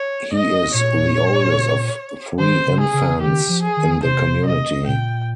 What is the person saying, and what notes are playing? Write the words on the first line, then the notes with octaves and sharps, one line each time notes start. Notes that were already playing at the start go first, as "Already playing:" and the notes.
He is the oldest of three infants in the community.
Already playing: C#5
D#5
A#2 C#5
D#3 C5
C#3
G#4
C#3
D#3 G4
F3
G#4
D#3
C3 C5
D#5
A#2 G5